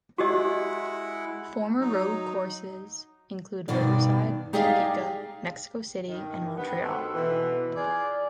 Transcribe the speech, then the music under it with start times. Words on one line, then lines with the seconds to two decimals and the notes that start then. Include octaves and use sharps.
Former road courses include Riverside, Topeka, Mexico City, and Montreal.
0.18 G#3 E4 F#4 G4 D#5 F#5
1.80 F#3 D#4
3.68 G2 B2 D#3 D5
4.53 D#4 G4 G#4 D5 D#5 F5
6.09 G2 D#3
6.57 G2 B3
6.82 D#3 A3 C4 F#4 A4
7.14 B2 E3
7.75 F4 G#4 B4 D5